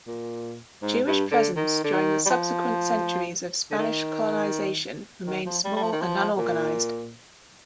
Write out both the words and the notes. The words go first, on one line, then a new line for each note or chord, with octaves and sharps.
Jewish presence during the subsequent centuries of Spanish colonization remained small and unorganized.
A#2
G#2
G2
D3
D#3
D3
D#3
G3
F3
D3
D#3
D#3
F3
G3
G3
F3
D#3
F3
A#2